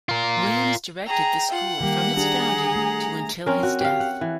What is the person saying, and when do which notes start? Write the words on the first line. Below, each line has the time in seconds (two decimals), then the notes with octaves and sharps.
Williams directed the school from its founding to until his death.
0.09 F4 A#4
1.08 G#4 G5 A#5
1.51 F4 F#5
1.81 D#3 G3 A#3 G4
2.17 D4 G4 G#4 A#5
2.76 A3
3.46 C4 C#4 A#4
3.63 F#4
3.81 G4 F5
4.00 F#5
4.21 E3